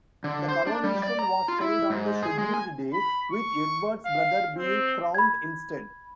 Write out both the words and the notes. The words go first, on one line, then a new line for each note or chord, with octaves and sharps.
The coronation was held on the scheduled day, with Edward's brother being crowned instead.
D3
C5
D4
G3
D5
A#5
F4
E4
G#2
G#4
G#3
G#5
B5
C#6
F5
C4
B5 G#6